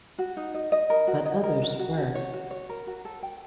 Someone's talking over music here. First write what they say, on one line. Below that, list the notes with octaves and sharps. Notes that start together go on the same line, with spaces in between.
But others were.
F#4
D#4
D#5
D#5
A#4
F#4
D#5
A#4
F#4
F#4
F#4
C#5
F#4
C#5
A#4
F#4
A4
G5